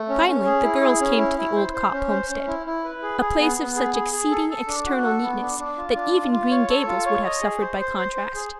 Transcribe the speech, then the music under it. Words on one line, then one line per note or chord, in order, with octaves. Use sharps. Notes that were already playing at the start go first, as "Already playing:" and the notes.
Finally the girls came to the old Copp homestead . . . a place of such exceeding external neatness that even Green Gables would have suffered by contrast.
Already playing: A3
C#4
C#4
G#4
E4
G#4
C#4
E4
E4
C5
C5
C#4
C5
C#4
E4
E4
B4
G#4
G#4
B3
B3
G#4
G#4
G#4
A4
A4
D4
F#4
A4
B3
D4
D4
F4
D4
F4
F4
C#5
A4
F4
C#5
D#5
G#4
C5
C5
C5
C5
G#4